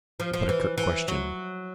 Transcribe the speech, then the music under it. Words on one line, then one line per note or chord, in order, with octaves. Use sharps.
I put a curt question.
F3
F3
E3
E3
F#3